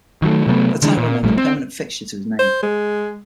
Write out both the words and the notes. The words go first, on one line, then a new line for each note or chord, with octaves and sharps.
The title remained a permanent fixture to his name.
D#3 F#3 A3
C3 F#3 A3 B3
D3 E3 G#3 D4
A#2
A#1 A2 G3 A3
C4
C5
G#3